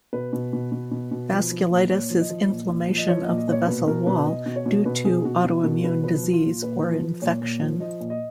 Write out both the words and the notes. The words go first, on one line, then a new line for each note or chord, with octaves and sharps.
Vasculitis is inflammation of the vessel wall, due to autoimmune disease or infection.
B2 B4
B2
B2
B2
B2
B2
F3
F3
A#2
A#2 C#5
F3
D#5
F3
A#2
A#2
F3
D#5
F3 C#5
A#2 D#5
D#5
A#2 C#5
B2 B4
B2 A#4
B2 B4
B2 D#5
B2
C#5
B2
B2 B4
B2 G#4
B2 F#4
B2
B2 A#4
B2 B4
F3 B4
F3
F4
A#2
A#2 B4
F3
F3
A#2 C#5
A#2
F3
F3 D#5
A#2
D#5